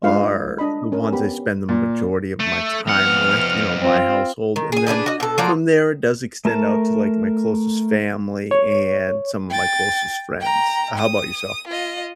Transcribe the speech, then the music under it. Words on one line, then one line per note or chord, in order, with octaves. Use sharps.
are the ones I spend the majority of my time with, you know, my household. And then from there, it does extend out to, like, my closest family and some of my closest friends. Uh, how 'bout yourself?
G#3 D4 D#4 F4 B4 F5
D#5
D4 D#5 B5
C#4 A#4
B3 G4 B5
A#2
A3
F2 B3 F#5 F6
C4 F4
D#3
G#4 G#5
D4 G#4 B4 D#5
F#4 D#5
B2 A4
F3 F#3 A#3 D5
A3 A#4 A5
C#5
G5 A6
G5 A#5
D#6
F4 D#5